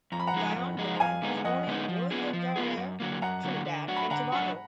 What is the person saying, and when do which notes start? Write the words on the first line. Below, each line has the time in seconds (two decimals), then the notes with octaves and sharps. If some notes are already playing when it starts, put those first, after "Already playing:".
Dionne Brand was born in Guayaguayare, Trinidad and Tobago.
0.12 F2 A#5
0.20 B5
0.27 F#5 A#5
0.34 F3 G#3 D#4 G#4
0.56 F2
0.78 F3 G#3 D#4 G#4
0.96 A#5
1.00 F2 F5 G#5
1.22 D3 G#3 B3 D#4
1.44 F2 D#5 F#5
1.67 D3 G#3 B3 D#4
1.88 F3
2.11 B3 F4 G#4
2.33 F3
2.56 B3 F4 G#4
2.77 F#2
3.00 D3 F#3 A#3
3.22 F#2 F#5 A#5
3.44 D3 F#3 A#3
3.66 D3
3.88 F#3 D4 F#4
3.96 B5
4.10 D3 F#5 A#5
4.32 F#3 D4 F#4